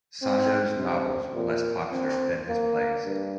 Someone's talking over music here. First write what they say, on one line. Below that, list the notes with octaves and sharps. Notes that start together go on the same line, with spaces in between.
Sandeau's novels were less popular than his plays.
C4
C3
A#2
C4
A#3
G2